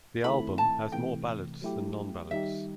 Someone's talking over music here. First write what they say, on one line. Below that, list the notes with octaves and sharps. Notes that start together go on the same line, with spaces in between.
The album has more ballads than non-ballads.
D#3 A3 C4 E4 A4 B5
A5
C3 E3 A3 G5
F#3 A3 E4 G4
D#3 G3 D#4 G4 E5